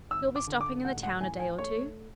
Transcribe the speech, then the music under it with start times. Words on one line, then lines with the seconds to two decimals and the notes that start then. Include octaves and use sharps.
You'll be stopping in the town a day or two?
0.11 G#1 E6
0.36 D6
0.48 D3
0.61 D6
0.85 A1 F#5
1.03 F#5
1.21 E3 G#5
1.39 G#5
1.58 A3 C#5